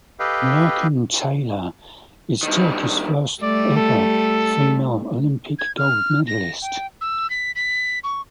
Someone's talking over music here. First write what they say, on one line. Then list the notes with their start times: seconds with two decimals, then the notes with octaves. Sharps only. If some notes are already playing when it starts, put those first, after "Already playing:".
Nurcan Taylan is Turkey's first ever female Olympic gold medalist.
0.19 G4 A4 B4 D#5 F5 G5
2.43 G2 D#3
3.42 G3 A3 D5
3.77 A4
5.59 G#6
5.77 F6
6.27 A#6
6.62 G5
7.01 E6
7.30 B6
7.55 B6
8.04 C#6